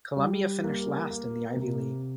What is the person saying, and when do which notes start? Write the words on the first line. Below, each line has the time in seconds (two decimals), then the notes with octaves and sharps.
Columbia finished last in the Ivy League.
0.17 G3
0.64 A#3
1.10 A#3
1.56 C3